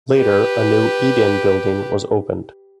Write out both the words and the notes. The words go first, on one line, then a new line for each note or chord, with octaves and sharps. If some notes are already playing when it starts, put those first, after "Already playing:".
Later, a new eat-in building was opened.
G4 B4